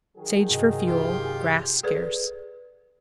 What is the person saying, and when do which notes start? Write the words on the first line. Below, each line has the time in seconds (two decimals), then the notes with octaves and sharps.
Sage for fuel; grass scarce.
0.15 D#3 F#3 G#4
0.50 G2 C3 D#5
0.86 F4 G4
1.83 G#4 A4 B4 D5